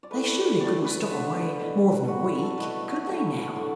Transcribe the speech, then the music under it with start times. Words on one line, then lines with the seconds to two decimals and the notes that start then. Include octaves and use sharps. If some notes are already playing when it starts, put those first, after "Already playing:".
They surely couldn't stop away more than a week, could they now?'
0.03 D5
0.11 A2 E3 A3 B4
0.60 A2 A3 D5
0.85 B4
1.10 D3 A3
1.59 B2 A3
1.92 B4
2.08 D3 F#3 A3 F#4
2.24 E4
2.42 A4
2.58 B2 A3 B4
3.07 A2 F#3 A3
3.56 D3 F#3 A3 D5